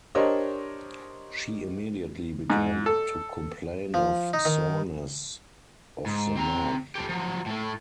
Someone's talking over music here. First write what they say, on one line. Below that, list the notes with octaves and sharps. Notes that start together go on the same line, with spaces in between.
She immediately began to complain of soreness of the mouth.
D4 G4 A#4 C5 C#5 D#5
G#2
A4
F3
D#4
D#3
G#2
C4 A#5
G4 A4
F3 F#3
A2 A3